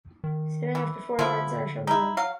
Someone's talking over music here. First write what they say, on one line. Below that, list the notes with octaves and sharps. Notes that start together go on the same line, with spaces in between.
Standings after four events are shown below.
D#3
E3
D3 F3 B3 E4
D#4 E4
F#3 F5